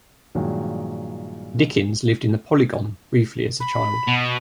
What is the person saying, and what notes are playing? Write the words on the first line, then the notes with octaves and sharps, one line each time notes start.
Dickens lived in the Polygon briefly as a child.
G2 A#2 D#3 F3 F#3 G#3
B5
B2